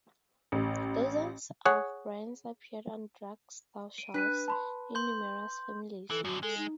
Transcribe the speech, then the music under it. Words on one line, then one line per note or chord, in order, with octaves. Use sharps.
Dozens of brands appeared on drugstore shelves, in numerous formulations.
A1
G#4 C#5 F#5
D7 D#7
D4 B4 B6 D#7
A5 B5 C6
C6 G6 G7
E3 A4
F#2 D3 F#4
G#3 A4
D#4